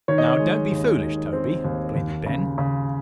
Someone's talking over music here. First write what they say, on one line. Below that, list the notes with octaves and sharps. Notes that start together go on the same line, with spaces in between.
"Now don't be foolish, Toby," pleaded Ben.
D#3 C#5
D#5
C#5
G#3
D#2
D#3
C4
D#2
D#2
C#3
C#3